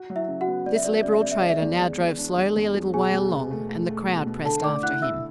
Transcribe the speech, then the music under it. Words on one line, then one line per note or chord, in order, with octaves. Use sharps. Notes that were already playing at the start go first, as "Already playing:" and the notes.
This liberal trader now drove slowly a little way along, and the crowd pressed after him.
Already playing: F#4
F#3
E4 E5
C#3
F#4 F#5
B3
B3 D5
E5
F#4 D5
E5
C#3 D5
E5
B3 D5
E5
G#3 D5
E5
E2 D5
G#3
E2
D4
E2
E2
G#3
B2 G#4 G#5
B2
B2
A3
A3
A3
B2
B2
D3 A4 A5
A3 D5 D6
E4 F#5 F#6
F#6
E4 E5 E6